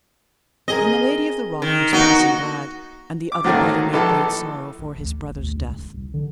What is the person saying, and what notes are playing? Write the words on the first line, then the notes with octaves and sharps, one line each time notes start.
Then the Lady of the Rock was passing glad, and the other brother made great sorrow for his brother's death.
C4 G#4 A#4 D#5
D#3
A#3 B3 D#4 F#4
D6
G#2 D3 D#3 F#3 A3 A#3
A#1 E3 A4 A5
A1
D2
G1
D2
C#2
D1
C2
D3